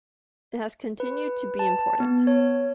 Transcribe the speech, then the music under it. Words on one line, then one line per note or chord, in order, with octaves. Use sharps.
It has continued to be important.
B4
A5
B3
C#5